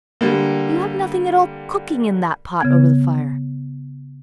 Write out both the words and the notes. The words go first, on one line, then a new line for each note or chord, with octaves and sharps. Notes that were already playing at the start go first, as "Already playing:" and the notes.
You have nothing at all cooking in that pot over the fire.
D3 G3 A#3
C#3 B3 G#6